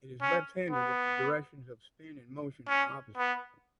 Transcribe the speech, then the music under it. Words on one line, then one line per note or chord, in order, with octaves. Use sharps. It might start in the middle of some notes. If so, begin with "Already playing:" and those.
It is left-handed if the directions of spin and motion are opposite.
C#4
B3
C#4
B3